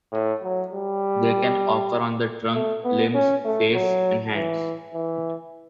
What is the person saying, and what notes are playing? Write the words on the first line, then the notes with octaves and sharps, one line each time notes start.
They can occur on the trunk, limbs, face, and hands.
A2
F#3
G3
A3
B3
C#4
A3
F#3
E3
E3